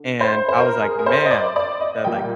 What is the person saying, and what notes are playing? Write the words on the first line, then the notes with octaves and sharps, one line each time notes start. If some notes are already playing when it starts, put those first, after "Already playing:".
And I was like, "Man," that, like,
Already playing: D3
C5
C5
A#4
G#4
A#4
C5
D#5
D5
D5
D#5
A#2 G3 A#3 G5